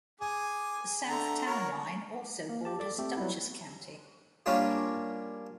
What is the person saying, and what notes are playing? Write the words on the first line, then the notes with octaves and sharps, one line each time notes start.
The south town line also borders Dutchess County.
G#4 G#5 D6
D3 A3 A#5
F#4 A#4 C#5
A#3
G4 A5
A4 D5 D6
A3 C4 G4 A4
F#3 G3 B3 E4
G3 A#3 C#4 D4 F4